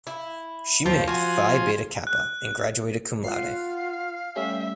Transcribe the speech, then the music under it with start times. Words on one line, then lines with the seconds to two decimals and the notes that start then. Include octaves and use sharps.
She made Phi Beta Kappa and graduated cum laude.
0.07 E4
0.86 D#2 F3 C4
1.07 F3 F4 F#4 G#5
2.07 F#6
3.24 F4 F5 F#5 C7
4.36 G3 A3 C#4 E5 G5